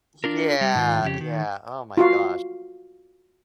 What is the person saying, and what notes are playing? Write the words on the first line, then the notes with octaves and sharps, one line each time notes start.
Yeah, yeah, oh my gosh.
D4 F4 A#4
G3
G#2 D#3 F4
F2 C#3 G4
D#3
F4 F#4 F5